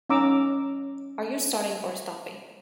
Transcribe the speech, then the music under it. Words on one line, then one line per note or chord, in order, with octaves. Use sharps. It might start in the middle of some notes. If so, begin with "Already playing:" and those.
Are you starting or stopping?
C#4 D#4 A#5 D6 E6